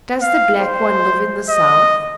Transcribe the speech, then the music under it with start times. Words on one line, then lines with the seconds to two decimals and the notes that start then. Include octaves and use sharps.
Does the Black One live in the south?
0.22 F5
0.59 C5
1.49 D#5